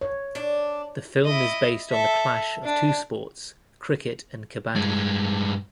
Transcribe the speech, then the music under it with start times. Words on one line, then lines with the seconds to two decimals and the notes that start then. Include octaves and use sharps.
The film is based on the clash of two sports cricket and kabaddi.
0.01 C#5
0.35 D4
1.25 E4 D#5
1.89 A4 E5
2.64 D4
4.76 G2 G#3